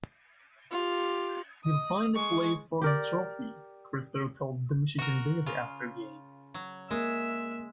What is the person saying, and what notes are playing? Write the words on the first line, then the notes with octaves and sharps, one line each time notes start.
"We'll find a place for the trophy," Crisler told The Michigan Daily after game.
F4 G4
D#5 D#6
G#3 C#6
G4 A#4 D5
F#4 A#4
C#3 F4
F#3
G#3 A#3 E5